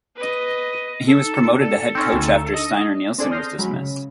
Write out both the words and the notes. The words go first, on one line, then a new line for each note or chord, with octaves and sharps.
He was promoted to head coach after Steinar Nilsen was dismissed.
B4 D#5
A4
D#4
A4 D5
C4 C#4 D#4
D2
D4 D#5
C4 D4 G#4 A4 D5
C6 D#6 F6 G6 A#6 C7
F#3 G#3 C#4 B5
C#3